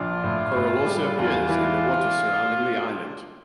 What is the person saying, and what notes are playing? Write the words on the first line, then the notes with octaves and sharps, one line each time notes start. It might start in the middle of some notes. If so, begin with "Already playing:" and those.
Coral also appears in the water surrounding the island.
Already playing: A#1 D4 F4
A2
A2
G3
E2 D4 F4
E3